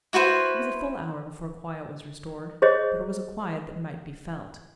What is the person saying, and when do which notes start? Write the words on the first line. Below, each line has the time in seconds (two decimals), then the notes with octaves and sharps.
It was a full hour before quiet was restored . . . but it was a quiet that might be felt.
0.13 E4 F#4 B4 C5
2.62 G#4 C5 C#5 D#5